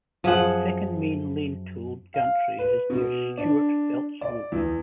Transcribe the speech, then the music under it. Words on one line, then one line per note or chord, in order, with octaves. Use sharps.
The second main lane toll gantry is near Stewart Feltz Road.
F#2 F3 G#4 F#5
F5
B4
B2
D4
D5
E2